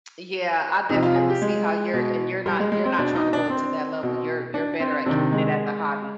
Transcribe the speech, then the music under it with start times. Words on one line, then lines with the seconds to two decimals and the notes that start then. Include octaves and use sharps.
Yeah. I definitely see how you're and you're not you're not tryna to go up to that level, you're you're better at keeping it as a hobby.
0.90 C3 F3 D#4
1.03 F4
1.16 G#4
1.30 G4
1.42 G#3
1.94 B2
2.46 G3
2.60 G#3
2.72 G#3
2.85 C4
2.99 B2 D4
3.16 D#4
3.33 D4
3.50 C4
4.03 B2
4.54 D4
4.80 C4
5.06 C3 D#3 D4
5.33 G#3